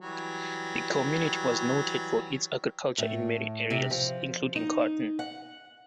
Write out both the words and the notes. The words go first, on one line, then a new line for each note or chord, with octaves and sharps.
The community was noted for its agriculture in many areas, including cotton.
E3 F#3 G3
A2
C3
F3
D#4
F#5